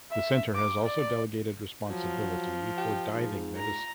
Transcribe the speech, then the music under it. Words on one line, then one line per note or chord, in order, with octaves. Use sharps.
The centre has also delegated responsibility for diving medicine.
E5
D6
D5
F3 F#3
G4
G#2
A#5